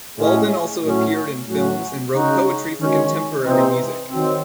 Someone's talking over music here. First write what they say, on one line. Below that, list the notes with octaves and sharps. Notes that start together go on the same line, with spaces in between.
Walden also appeared in films and wrote poetry for contemporary music.
A2 G#3 C#4
A2 F#3 C#4
A2 F#3 C#4 F#4
C#3 G#3 D#4 F#4
D#3 G#3 C#4 F#4
C3 E3 C4 D#4
D#3 F#3 C4